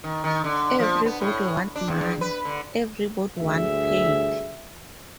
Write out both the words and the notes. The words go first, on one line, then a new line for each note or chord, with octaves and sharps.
Everybody want money, everybody want paid.
D#3
D#3
D3
F3
B3
A2
D4
E2
B4
D3
D2 G2 G#4 E5